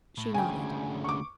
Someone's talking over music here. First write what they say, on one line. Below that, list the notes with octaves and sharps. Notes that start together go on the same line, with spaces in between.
She nodded.
A2
D2 C#3 G5 G#5
C#6 D6